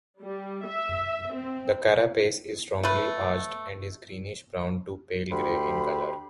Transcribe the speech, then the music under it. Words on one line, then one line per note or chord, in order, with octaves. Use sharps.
The carapace is strongly arched and is greenish brown to pale gray in color.
G3
E5
C4
A3 B4
D2 G4 B5 C6